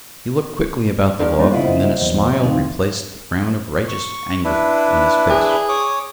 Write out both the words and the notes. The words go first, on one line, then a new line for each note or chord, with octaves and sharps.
He looked quickly about the loft, and then a smile replaced the frown of righteous anger on his face.
G2 D3 A#4
G3 A#3 B3 D4 D#4 G#4
C#3 E4 F4 C5 D#5 F#5
E2 F#3
D2 C3 C4 D#4 F5
C#6
D4 E4 B4
G#4
C#5 D6 D#6